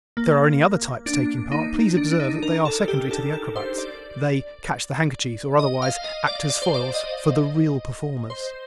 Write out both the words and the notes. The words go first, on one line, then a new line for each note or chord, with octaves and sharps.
If there are any other types taking part please observe that they are secondary to the acrobats--they catch the handkerchiefs or otherwise act as foils for the real performers.
A#3
D4
D#4
D4
D4
D#4
A#4
A4
G4
A4
A4
C5
D5
D#5
F5
D#5
D5
D5
C5
D5
D#5
C5